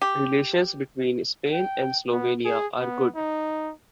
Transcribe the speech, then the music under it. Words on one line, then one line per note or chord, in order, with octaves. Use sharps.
Relations between Spain and Slovenia are good.
G4
G5
B3
G#4
B3
D#4